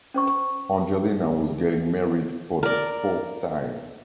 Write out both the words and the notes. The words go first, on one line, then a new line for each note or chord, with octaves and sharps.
Angelina was getting married for the fourth time.
C#4 C5 C#6
A#4 D5